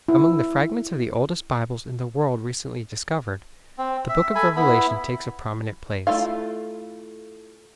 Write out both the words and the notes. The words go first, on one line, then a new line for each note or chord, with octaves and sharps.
Among the fragments of the oldest Bibles in the world recently discovered, the Book of Revelation takes a prominent place.
E4
C4
E5
A4 G#5 B5
B3 E4 B5
A3 E4 F4 A4 F5